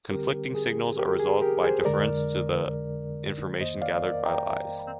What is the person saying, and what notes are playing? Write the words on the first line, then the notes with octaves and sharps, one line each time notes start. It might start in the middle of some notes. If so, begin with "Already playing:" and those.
Conflicting signals are resolved by deference to the information gathered by the eyes.
D3 G3 C4 G4 A#4
G#4
G4 A#4
G#4
G4 A#4
G#4 C5
F2 D3 G#3 A#4 D5
F2 D#3 A#3 C5 D#5
D5 F5
A#4 D5
G5 A#5